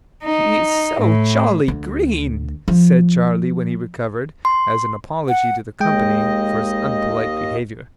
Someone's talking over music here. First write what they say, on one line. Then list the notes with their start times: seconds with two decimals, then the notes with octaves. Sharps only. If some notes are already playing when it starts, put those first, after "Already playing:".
'He is so jolly green!' said Charley when he recovered, as an apology to the company for his unpolite behaviour.
0.24 D#4
0.99 A2
1.68 D2
2.68 F3
4.45 C6
5.29 F#5
5.80 D#2 G#3 D#5 G5